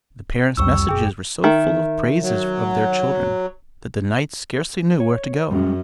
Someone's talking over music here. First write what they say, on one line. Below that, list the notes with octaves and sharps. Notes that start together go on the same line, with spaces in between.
The parents' messages were so full of praises of their children that the knights scarcely knew where to go.
C2 F2 G3 C#6 E6
F#1 G#4 G5
D#3 E5
F#3
C#5
F#2 G3 G#3 C#4